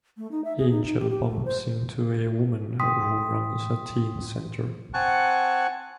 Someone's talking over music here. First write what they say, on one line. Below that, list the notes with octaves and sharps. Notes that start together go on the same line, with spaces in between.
Angel bumps into a woman who runs a teen center.
A3
D#4
E5
G#4
D#4
D#4
G4
G4
A3
C5
G5 C6 D#6 B6
C4 F#5 G#5 A5 C#6 F#6